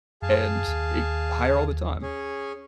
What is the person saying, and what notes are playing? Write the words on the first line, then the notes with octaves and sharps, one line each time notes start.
and it higher all the time.
F#2 G#4 F5 A5
D#2
C#4 G#4